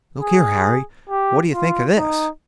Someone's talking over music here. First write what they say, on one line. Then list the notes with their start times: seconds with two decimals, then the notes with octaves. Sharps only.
"Look here, Harry; what d'ye think of this?"
0.22 G#4
1.09 G4
1.54 F4
1.97 D#4